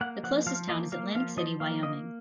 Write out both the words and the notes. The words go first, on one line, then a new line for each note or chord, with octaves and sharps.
The closest town is Atlantic City, Wyoming.
A#3 F#5
F3 F#5
F3 F5
A#3 D#5
A#3 F5
F3 F5
F3 D#5
A#3 F5
A#3 D#5